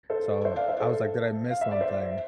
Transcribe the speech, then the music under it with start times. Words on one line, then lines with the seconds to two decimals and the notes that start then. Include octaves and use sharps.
so I was like, "Did I miss something?"
0.10 A4 C5
0.45 C5 E5
0.56 D5 F5
0.68 C5 E5
0.80 A4 C5
1.50 F5
1.61 E5
1.71 D5
1.81 C5 E5